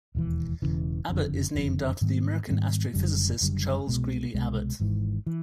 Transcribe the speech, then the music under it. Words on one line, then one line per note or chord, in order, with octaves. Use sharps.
Abbot is named after the American astrophysicist Charles Greeley Abbot.
E1 D#2 C#3 E3
E1 D#2 C#3 E3
F#1 F2 D3
F#1 F2 D3
G#2 D#3 G3 B3
G#2 D#3 G3 B3
F#1 F#2 D3 G3
F#1 F#2 D3 G3
C2 B2 G#3
C2 B2 G#3
G#1 G#2 E3
E3